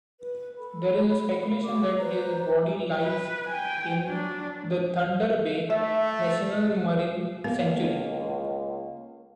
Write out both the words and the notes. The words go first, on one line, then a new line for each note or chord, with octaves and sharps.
There is speculation that his body lies in the Thunder Bay National Marine Sanctuary.
B4
A4 B5
F#4 G#4 D5 D6
B4 C5 D5 A#5
B4
G5 G#5
F#3 D4
A3 E5
C#2 A#3 B3